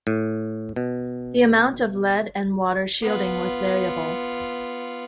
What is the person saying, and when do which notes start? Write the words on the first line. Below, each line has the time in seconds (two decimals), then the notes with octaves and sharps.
The amount of lead and water shielding was variable.
0.07 A2
0.76 B2
3.02 B3 F4